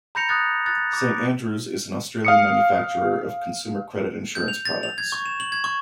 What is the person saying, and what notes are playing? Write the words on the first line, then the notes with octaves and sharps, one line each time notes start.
Saint Andrew's is an Australian manufacturer of consumer credit insurance products.
A#5 B5 G6 A#6 C#7 F7
D#6 F#6 A6
F#6 A6
D6
F5 D#6 C#7
G6
F7
A6
F7
G#6
C#6
E7
F#7
G#6
C#6